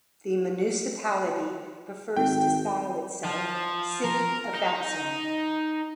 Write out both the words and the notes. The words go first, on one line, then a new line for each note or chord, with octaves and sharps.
The municipality prefers to style itself "City of Vaxholm".
G#1 G5
F3
A#4
D#4